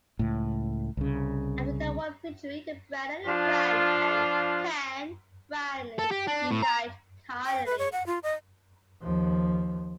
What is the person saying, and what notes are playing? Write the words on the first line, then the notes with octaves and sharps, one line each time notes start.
After they won the victory, Brenda and Frank can finally unite carnally.
C#2 A2
C2 C#3
F3 D4 F4
A4
G4
D4
A2
A#5
G5
B4
C#5
F#5
F4
D#5
D#2 F3